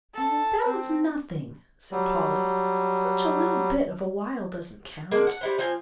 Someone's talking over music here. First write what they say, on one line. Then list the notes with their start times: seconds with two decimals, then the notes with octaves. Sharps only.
"Oh, that was nothing," said Polly, "such a little bit of a while doesn't count."
0.14 A4
0.66 C4
1.91 F#3 G3
5.11 D3 G#3 A#3
5.27 F#5
5.41 G3 E4 C5
5.58 F3 C4 F4 G#5